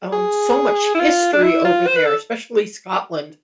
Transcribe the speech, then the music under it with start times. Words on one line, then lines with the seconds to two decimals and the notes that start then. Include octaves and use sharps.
um, so much history over there, especially Scotland
0.12 G#4
0.94 E4
0.99 F4
1.33 D4
1.43 E4
1.65 F4
1.87 C5
1.96 B4
2.06 A4